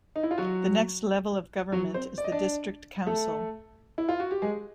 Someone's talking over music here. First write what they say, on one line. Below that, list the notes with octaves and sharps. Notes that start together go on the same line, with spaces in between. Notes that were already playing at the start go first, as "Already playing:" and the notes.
The next level of government is the district council.
D#4
E4
F4
F#3 F#4
F#3 F#4
C4 C5
D5
D#5
D4 D5
A3 A4
E4
F4
F#4
G4
G#3 G#4